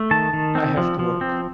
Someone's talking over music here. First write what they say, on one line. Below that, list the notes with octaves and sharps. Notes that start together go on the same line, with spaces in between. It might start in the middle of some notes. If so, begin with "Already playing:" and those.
I have to work.
Already playing: A3
D#3 A5
D#3
C4
F3
F3
C4